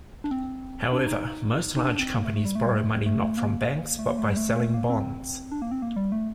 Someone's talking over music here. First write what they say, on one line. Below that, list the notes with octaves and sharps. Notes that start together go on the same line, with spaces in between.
However most large companies borrow money not from banks, but by selling bonds.
D4
C4
D4
D#4
D#4
D4
C4
A#3
A3
A3
G3
A3
G3
A3
A3
A3
A3
A#3
A3
A#3
A3
G3
A3
A3
A#3
C4
D4
A#3
C4
A#3
G3
A3